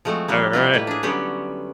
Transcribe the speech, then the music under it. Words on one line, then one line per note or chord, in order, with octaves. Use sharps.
All right.
F3 G#3 A3 C4 F#4
F3 G3 A#3
B2 G3 E4 F4
A2 A#3 B4
D4 G#4
D3 F#3 G3 B3 C#4 G4